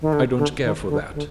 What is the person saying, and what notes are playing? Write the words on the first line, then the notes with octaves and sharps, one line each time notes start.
I don't care for that.
D#3
D3
D3
D#3
D3
D3